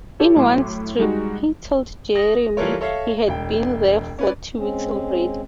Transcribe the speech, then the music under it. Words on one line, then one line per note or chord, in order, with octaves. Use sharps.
In one strip, he told Jeremy he had been there for two weeks already.
E4 G4 A4 C#5
A2 F#3 E4 C6 D6
G3 G#3 D#4 F#4
D#6 A#6
E3 G3 F4 A4 A#4 C#5
A4 C#5 E5 F5
E1 G5
C#4 B4 D5
G#3 C4 C#4